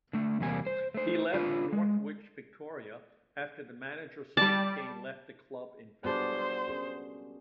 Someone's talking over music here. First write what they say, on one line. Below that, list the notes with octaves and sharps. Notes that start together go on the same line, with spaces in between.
He left Northwich Victoria after the manager, Steve King, left the club in February.
D3 A3
E2 C3 G3 A#3 G#5
C5
A3 C5
D4 F4 B4
G#3
G3 D5 A5
G3 B3 D4 F#4 G#4 C5
C#4 G#4 A#4